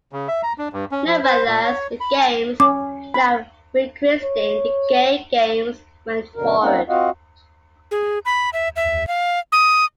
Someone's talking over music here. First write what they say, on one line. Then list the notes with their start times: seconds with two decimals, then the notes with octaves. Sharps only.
Nevertheless, the games, now re-christened the "Gay Games," went forward.
0.12 C#3
0.28 E5
0.43 A#5
0.58 D4
0.73 G2
0.91 C#4
1.06 F3
1.24 C5
1.46 A#2
1.64 C#5
2.00 B5
2.20 A5
2.60 C#4 D6
3.14 B5
4.23 C#5
6.36 F#2 B2 D3 A#4
6.61 A#3 C4 C#4 D#4 F#5
6.89 C4 F4 F#4 D#5 F5 F#5
7.91 G#4
8.25 B5
8.53 E5
8.76 E5
9.08 F5
9.52 D#6